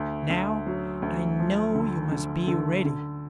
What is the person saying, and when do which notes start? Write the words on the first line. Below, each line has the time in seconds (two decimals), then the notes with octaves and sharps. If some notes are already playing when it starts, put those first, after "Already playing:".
'Now, I know you must be ready.'
Already playing: D2
0.30 D2
0.66 F#3
1.02 D2
1.39 F3
1.75 D3
2.12 D3
2.47 D3
2.85 D3